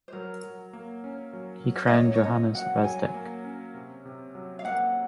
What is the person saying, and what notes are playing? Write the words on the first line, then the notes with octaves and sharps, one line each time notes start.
He crowned Johannes Rydzek.
C5
F#3 A#4
F#3
A#3
C#4
F#3
F#3
D#5
A#3 C#5
C#5
C#4 D#5
F#3 F#5
F#3 G#5
A#3
C#4
C3
C3
F#3
F5
A#3 F#5